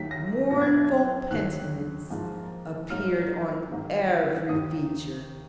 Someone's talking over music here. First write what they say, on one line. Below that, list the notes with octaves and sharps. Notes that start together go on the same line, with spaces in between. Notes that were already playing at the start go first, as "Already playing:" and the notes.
Mournful penitence appeared on every feature.
Already playing: D#2 D#3 F#3 A#3 B6
A#6
B2 F#3 B3 A#6
G#6
F#6
G#6
D#2 D#3 F#3 F#6
G#2 F3 A#3
G#2 F#3 A#3 F6
G#2 D#3 A#3
D#2 D#3 A#3 D#6